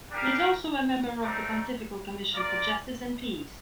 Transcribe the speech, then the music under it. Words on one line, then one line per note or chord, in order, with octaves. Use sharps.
He is also a member of the Pontifical Commission for Justice and Peace.
G3 D4 G4 A#4 F5
A3 C4 D#4 A#4 D5
A#3 F4 A#4 D5